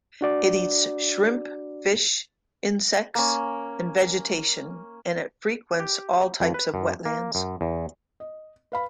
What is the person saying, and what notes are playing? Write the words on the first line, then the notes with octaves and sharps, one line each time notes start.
It eats shrimp, fish, insects, and vegetation, and it frequents all types of wetlands.
D4 F#4 D5
A#3 C#4
G4
F2
B4
F#2
A#3
F#2
E2
D#5
B4 F5 B5